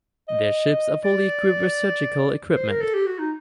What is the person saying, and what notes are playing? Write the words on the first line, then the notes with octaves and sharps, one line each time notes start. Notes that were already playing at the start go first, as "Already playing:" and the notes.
The ships are fully equipped with surgical equipment.
D#5
D5
C5
A#4
A4
G4
F#4
D#4